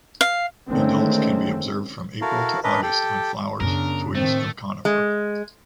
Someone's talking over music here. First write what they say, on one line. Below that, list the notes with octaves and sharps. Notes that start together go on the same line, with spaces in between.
Adults can be observed from April to August on flowers, twigs of conifer.
F5
D3 D#3 G#3 A3 C4 C#4
E4 F#4 A4 A#4 F5
C#4 D4 A#4 B4 D#5 E5
G4 A4 G5
F#2 C#3 B3 D4 A#4
A2 D#3 A3 C4
G#3